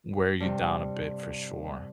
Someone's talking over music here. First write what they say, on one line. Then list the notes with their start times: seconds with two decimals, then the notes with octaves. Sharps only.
wear you down a bit for sure.
0.40 G2 C3 G3